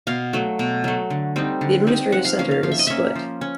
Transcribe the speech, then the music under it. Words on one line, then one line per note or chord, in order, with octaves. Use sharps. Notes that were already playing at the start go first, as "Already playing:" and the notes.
The administrative center is Split.
B2 F5
F#3 A3
B2
F#3 A3
D3
G3 C4 D#4
D3
G3 C4 D#4
F3 F#5
F5
A#3 C#4 F5
F5
F3 F5
E5
D#5
A#3 C#4 E5
F3
C#4